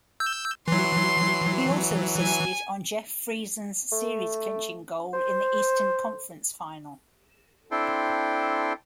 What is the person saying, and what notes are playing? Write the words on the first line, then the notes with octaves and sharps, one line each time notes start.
He also assisted on Jeff Friesen's series clinching goal in the Eastern Conference Final.
E6 G6
E3 F#3 C6
G#5
A3
C5
C4 D4 E4 A4 G5 C6